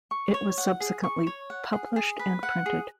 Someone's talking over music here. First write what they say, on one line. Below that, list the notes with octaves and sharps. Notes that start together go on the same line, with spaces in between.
It was subsequently published and printed.
C#6
C#5
F#5
G#4
C#6
C#5
F#5
G#4
G#4
B4
F#5
G#4